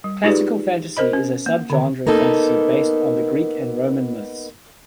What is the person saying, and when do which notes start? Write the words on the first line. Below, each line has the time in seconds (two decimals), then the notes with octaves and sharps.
Classical Fantasy is a subgenre fantasy based on the Greek and Roman myths.
0.04 G3
0.24 D#4 F4 G4 G#4 B4 D5
0.97 A#4 C5 D#5 B5
1.13 C#4
1.46 A#3
1.70 D3 D#3
2.07 A#3 B3 D#4 A4